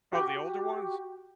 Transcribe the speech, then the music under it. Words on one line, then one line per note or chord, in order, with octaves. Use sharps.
Oh, the older ones?
F#4 G4